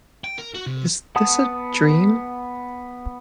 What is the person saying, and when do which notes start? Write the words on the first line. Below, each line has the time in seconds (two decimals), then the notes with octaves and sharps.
Is this a dream?
0.24 G5
0.38 A#4
0.54 F#4
0.66 C3
1.16 B3 F#5 A5 D#6